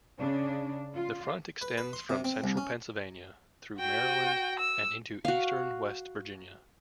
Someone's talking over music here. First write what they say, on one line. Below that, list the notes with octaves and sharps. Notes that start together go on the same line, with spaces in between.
The Front extends from central Pennsylvania through Maryland and into eastern West Virginia.
C#3 D4
F4
B4
B4
C6
C3
C4
C2
C#4
F#4 G5
E6
F#4 F5